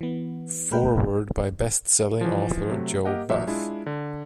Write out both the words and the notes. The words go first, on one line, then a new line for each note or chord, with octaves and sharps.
Foreword by Bestselling Author Joe Buff.
E3 B3
A#2 A3 A#4 B4 G5
E3 F3
C3 F#3 A3
A#3 G4 A#4 D#5 F#5
A1 A#2 F#3 E5
G#3 D4 E4 F4
D3